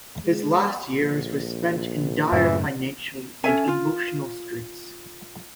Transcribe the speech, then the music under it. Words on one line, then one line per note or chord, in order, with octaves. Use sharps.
His last years were spent in dire financial and emotional straits.
G#3
A#1
F#1 F#2 A2 C#3 E3
C#4 A4 E5 G#5
F4